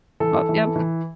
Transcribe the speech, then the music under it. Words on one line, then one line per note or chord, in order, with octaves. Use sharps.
But, yep.
E3 A4
E3
E3